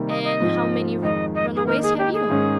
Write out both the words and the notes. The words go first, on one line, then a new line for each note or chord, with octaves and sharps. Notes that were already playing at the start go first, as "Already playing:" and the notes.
"And how many runaways have you?"
Already playing: C3 D#3 G3 A#3
D#5
D#5
G#2 F3 C4
F2 D#3 G#3 D#5
D#5
G#4
D#3 A#3 D#4 A#4
G#4
G4
G#4
G#2 D#3 G#3 C#4